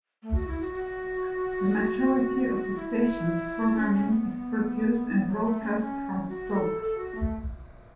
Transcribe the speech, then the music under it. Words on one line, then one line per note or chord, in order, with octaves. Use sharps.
The majority of the station's programming is produced and broadcast from Stoke.
A3
F#4
E4
F#4
F#4
E4
C#4
C#4
B3
B3
F#3
A3
C#4
C#4
F#4
A4
A4
F#4
A3